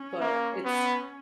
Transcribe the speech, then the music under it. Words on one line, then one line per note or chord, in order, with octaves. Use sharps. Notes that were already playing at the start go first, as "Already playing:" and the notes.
but it's
Already playing: C#4
A#3
B3